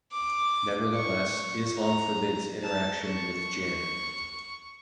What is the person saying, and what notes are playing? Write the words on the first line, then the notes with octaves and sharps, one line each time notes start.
Nevertheless, Islam forbids interaction with Jinn.
D6
C#6
A#5
A5
C#6